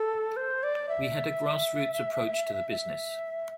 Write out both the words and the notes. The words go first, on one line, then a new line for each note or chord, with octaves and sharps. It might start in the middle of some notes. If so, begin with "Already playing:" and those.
We had a grassroots approach to the business.
Already playing: A4
C5
D5
E5
E5